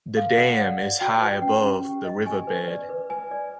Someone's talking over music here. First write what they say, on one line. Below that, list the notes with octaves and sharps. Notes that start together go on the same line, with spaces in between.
The dam is high above the riverbed.
A4 F5
A4 F#5
D5 F#5
D5
F#4 G5
B4
C#4 G5
C#4
G4
D#5
G4 G#5
B4
D5
B4
B4 G#5
D5